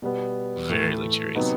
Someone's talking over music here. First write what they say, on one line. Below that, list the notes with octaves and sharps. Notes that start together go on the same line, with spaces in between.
Very luxurious.
B2 G3 B3
A2 E3 A3
C3 F#3 B3 D#4